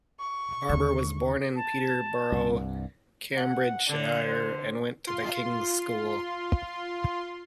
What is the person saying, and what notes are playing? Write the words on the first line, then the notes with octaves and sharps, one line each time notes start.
Barber was born in Peterborough, Cambridgeshire, and went to The King's School.
C#6
D#2 D3
A5
C2 G2
F#5
D3 D4
C5
F4 C6